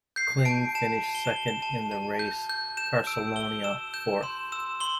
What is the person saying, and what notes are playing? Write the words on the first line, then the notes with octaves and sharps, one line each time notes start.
Kling finished second in the race, Caracciola fourth.
G6 C7
A5 D7
A5 E7
A5
G7
E7
A5 G7
E7
A5
A5
G6
G6
G6 E7
E6 D7
E6 G7
E6 E7
G6 E7
C6 E7
E6 E7
C6 G7